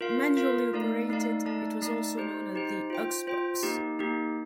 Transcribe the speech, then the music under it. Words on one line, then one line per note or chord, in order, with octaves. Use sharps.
Manually operated, it was also known as the Ox Box.
F4 A#4 F5
F4 A#4 F5
A3 D#4 A4 D5 F5
A3 D#4 A4 D5 F5
A3 D#4 A4 D5 A5
A3 D#4 A4 D5 A5
D#4 G4 C5
D#4 G4 C5
F4 C5 G5
F4 C5 G5
A#3 D#4 G4
A#3 D#4 G4